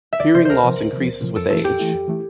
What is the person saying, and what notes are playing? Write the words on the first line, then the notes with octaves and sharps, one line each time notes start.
Hearing loss increases with age.
E5
D2 D5
C3 F3 C5
D2 A#4 C5
C3 F3
D2
C3 F3
D2
C3 F3
F2 A4
E3 A3 E4 A4
F2 G4
E3 A3 E4
F2
E3 A3 E4